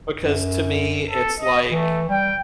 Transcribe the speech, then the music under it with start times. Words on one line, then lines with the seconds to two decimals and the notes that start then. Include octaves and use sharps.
because to me it's like
0.20 F#2
1.11 A4
1.40 D#5
1.71 E3 A3
2.09 G3 G5